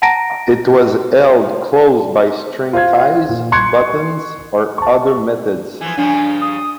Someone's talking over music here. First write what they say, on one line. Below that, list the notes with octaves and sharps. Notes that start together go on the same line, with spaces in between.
It was held closed by string ties, buttons, or other methods.
F#5 A5 A#5 A#6 D7
F4 C5 F5 G#6
A#2
C6 C#6 F#6 G#6 C#7
A5 C#6
E3 F3 G#5
G2 C#3 F3 D4
D#6